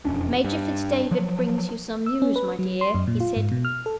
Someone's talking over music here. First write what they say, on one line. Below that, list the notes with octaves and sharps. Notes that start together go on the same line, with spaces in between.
"Major Fitz-David brings you some news, my dear," he said.
E1 F2 C#4 D4
G2
F3 F#3
E6
C#4
B4
F#3
C6
F#2
A#2
F4
G#2
B2
F6
A4